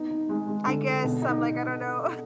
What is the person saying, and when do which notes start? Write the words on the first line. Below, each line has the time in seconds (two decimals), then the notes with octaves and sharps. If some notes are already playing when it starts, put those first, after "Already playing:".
I guess I'm, like, I don't know,
Already playing: B3 D#4
0.10 D#4
0.29 G#3
0.48 G#3
0.67 D3
0.85 D3
1.04 B2
1.22 D#4